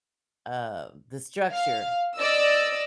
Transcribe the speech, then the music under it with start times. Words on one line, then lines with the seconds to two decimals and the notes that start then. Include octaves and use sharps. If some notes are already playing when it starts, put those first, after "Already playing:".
uh, the structure
1.51 F5
2.18 D5 D#5 E6